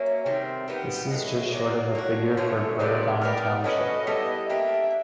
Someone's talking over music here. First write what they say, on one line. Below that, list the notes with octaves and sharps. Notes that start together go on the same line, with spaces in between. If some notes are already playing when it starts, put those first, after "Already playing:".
This is just short of the figure for Burradon township.
Already playing: F#3 A#3 C#4 E5
C3 D#3 G3 C4
D#3 G3 B3 G5
A2 E3 G#3 D#5
D#3 F#3 A#3 D5
A#3 D4 F#4 C#5
D3 F3 A3 C#4
C3 D#3 G#3 B3 D5
B3 D#4 G4 A#4 D5
A3 C#4 F#4 B4 D#5
G3 B3 E4 A4
A#3 D4 G4 E5